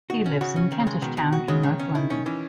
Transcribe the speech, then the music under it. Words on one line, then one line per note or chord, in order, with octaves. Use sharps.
He lives in Kentish Town in north London.
D#3 F#4
C#4
C#3 F#4
C#4
D#3
C#3
G#3
B2 D#3
D#3
F#4
C#3 G#3
D#3
C#4
D#3 E4
D#3 C#4
E3 C#4